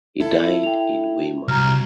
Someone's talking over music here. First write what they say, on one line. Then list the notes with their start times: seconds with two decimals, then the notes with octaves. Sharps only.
He died in Weimar.
0.20 E4 A4
0.63 G5 F7
1.48 C2 F#3 A#5 F6